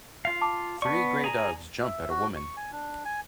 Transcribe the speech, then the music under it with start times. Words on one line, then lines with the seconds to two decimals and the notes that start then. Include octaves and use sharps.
Three gray dogs jump at a woman.
0.25 F4 F5
0.41 A5 D6
0.82 B3 D5 A5 C#6
1.24 G#4 A#5
1.83 E5
2.10 F#4
2.36 C#6
2.57 G#5
2.72 D4
3.05 G#5